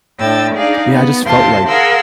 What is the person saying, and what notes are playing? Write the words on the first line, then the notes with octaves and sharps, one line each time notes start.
but, yeah, I just felt I
A2 D4 G5 E6 A6
D4 D#4 G#4 D5 F5
B3
D#2 C3 F4 F5 A5 C6
G#4 A#4 F5 F#5 C6 E6